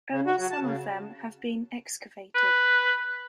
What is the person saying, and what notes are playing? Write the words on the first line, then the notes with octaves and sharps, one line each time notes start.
Only some of them have been excavated.
C#3
F#4
F#3
A5
C#3
B4